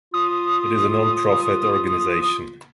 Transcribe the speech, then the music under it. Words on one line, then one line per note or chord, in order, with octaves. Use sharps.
It is a non-profit organization.
F4 D#6